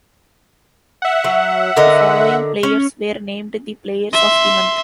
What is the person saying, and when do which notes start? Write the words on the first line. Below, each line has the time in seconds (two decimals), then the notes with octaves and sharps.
The following players were named the Players of the Month.
1.02 E5 F#5
1.24 F#3
1.76 D3 A#4 D#5
2.63 C#4
4.13 E5 C6